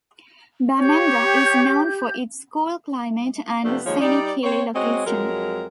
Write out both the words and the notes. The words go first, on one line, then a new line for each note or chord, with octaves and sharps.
Bamenda is known for its cool climate and scenic hilly location.
G4 C#5 G6
C3 F3 A3 B3 D4
D#2 F3 G#3 C#5
G3 D#4 D5
C4 C#5
G#3 C4 F#4 C#5 D#5
F2 F#3 G#3 A#4